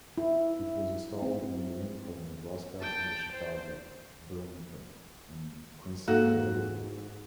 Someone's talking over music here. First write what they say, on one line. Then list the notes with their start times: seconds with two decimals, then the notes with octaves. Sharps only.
It was installed in Lincoln, Nebraska on the Chicago, Burlington and Quincy Railroad.
0.18 E4
1.22 C4
2.81 G5 A5
3.32 C5
6.08 G#2 A#3 D#4 F#4 A4